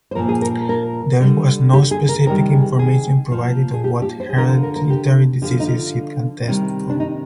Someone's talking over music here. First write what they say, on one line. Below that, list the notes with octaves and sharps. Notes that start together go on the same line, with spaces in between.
There was no specific information provided on what hereditary diseases it can test for.
C5
A#2 F3 A#4
G#4
A#4
A#4
D3 G3
G4
G#4
A#4
C3 D#3 G3 A#4
G#4
G#4
A#2 F3
G#4
G4
G4
C5
G#4
D3 F3 A#4
A#4
A#4
G4
D3 F3 G4
F4
D#4
F4
C3 D#3 G3
D4
D#4